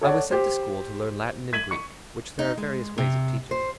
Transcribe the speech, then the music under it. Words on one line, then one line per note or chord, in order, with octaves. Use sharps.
I was sent to school to learn Latin and Greek, which there are various ways of teaching.
A4 C#5 D5 F#5
G4 C5
G#6 B6 D#7 F#7
C#6 C#7
D#4
G#3
C3
C5